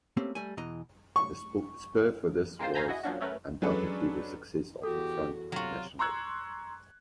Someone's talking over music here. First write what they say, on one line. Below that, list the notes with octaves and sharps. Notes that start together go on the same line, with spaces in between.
The spur for this was undoubtedly the success of the Front National.
A3 A#3 C4 C#4 G4
G3 A3 G#5
E2 B2 E3 D#5 A#5
C#6
G#3 A#3 C4 F4 C5
F5 G#5 A#5 B5 E6 G6
E4 F#4 G#4 D#5
F3 F#3 A#3 C#4 D4 F#4
F#3 A3 C#4 A#4 B4
F#3 G#3 C#4 D4 A4 B4
E2 F#4 G4 A4
C3 F#3 F4 F#4
A#5 C6 C#6 E6 F#6 G#6